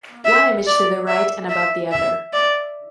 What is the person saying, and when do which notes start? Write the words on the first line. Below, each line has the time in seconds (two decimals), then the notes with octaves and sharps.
One image to the right and above the other.
0.25 E5
0.67 D5
1.08 E5
1.49 E5
1.91 E5
2.33 D5